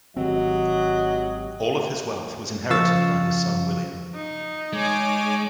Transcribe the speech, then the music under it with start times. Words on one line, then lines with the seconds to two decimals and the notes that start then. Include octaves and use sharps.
All of his wealth was inherited by his son William.
0.16 G#1 D#3 F#3 C4 G4 D#5
2.70 C#3 F3 F5 C#6 E6 A6
4.15 D#4
4.73 G#3 C#5 G#5 D6